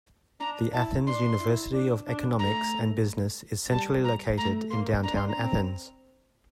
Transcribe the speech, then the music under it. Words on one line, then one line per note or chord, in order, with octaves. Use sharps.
The Athens University of Economics and Business is centrally located in downtown Athens.
D4 A#5
E4 A5
D4 C6
E4
D4
D4
A3 A#5
G3 A5
A#5
A3 A#5
A#3 C6
D4 A#5
C6
A#5
C4